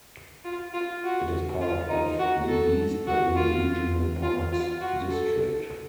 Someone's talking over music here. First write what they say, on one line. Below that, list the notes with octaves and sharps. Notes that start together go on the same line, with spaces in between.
It is part of the East Bay Regional Parks District.
F4
F4
F#4
F4
D#4
F#4
A4
F#4
F4
F4
F4
F#4
A4